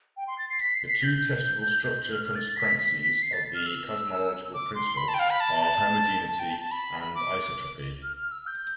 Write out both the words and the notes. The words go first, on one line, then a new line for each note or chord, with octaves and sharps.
The two testable structural consequences of the cosmological principle are homogeneity and isotropy.
G5
C6
A6
C7
B6
C7
B6
G6
G6
F6
F6
A6
B6
B6
B6
C7
A6
F6
E6
D6
C6
B5
A5
G5
F5
B5
A5
A5
G5
A5
A5
B5
D6
F6
F6
E6
G6